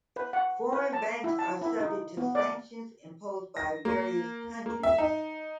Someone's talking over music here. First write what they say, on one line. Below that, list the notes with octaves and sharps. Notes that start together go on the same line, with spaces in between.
Foreign banks are subject to sanctions imposed by various countries.
B4
F#5
B4
A5
E4
A5
E4
D#4
B3
D5
A#6
A#3
A#3
E5
D#4